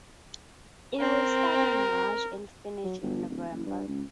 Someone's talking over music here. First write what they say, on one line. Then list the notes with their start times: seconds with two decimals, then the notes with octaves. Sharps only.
It will start in March and finish in November.
1.00 C4 A#4
2.84 F#3
3.03 G1
3.29 D1
3.51 F#1
3.66 G2
3.88 C#2